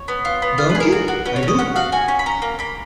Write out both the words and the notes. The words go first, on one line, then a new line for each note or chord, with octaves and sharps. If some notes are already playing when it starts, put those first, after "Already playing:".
Don’t you? I do.
Already playing: C#5
B3
F4
B3
F4 F5
B4
G#4
A#4
F#4
F#4
C#4 B4
C#5
C#4
D#5
C#4 F#5
F#4 F5
F#4 G#5
C#4
B5
C#4 A#5
A#3
A#3 B5